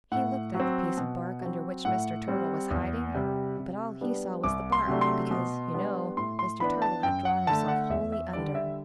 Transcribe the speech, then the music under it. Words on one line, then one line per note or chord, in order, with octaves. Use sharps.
He looked at the piece of bark under which Mr. Turtle was hiding, but all he saw was the bark, because, you know, Mr. Turtle had drawn himself wholly under.
A2 F#5
F#3
C4
B2
F#3 C4
A2 F#5
G3 C4
E2
C3 G3
C3
G3 B3 D4
C2 D6
C6
C3 F#3 A3 D4
C6
B2
G3 B3 D4
A2 C6
C6
E3 B3 D4 B5
A5
F#2 G5
F#5
D3 A3 A5
F#5
E2 E5
E5
D3 G3 D4 D5
E5